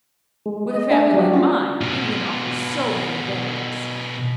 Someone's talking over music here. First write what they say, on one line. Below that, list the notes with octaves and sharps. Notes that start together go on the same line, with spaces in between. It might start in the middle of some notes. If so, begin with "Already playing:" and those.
With a family like mine, England offers so many advantages.
G#3
D#5
D4 E5 G#5
F#3 G3
C#4 F4 F#4
B2 F4